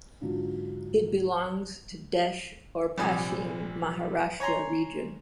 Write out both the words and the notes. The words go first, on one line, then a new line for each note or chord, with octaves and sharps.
It belongs to Desh or Paschim Maharashtra region.
G#2 D3 F#3 D4 F4
A#1 C3 G3 G#5 D#6
C#5 G#5 A#5 C6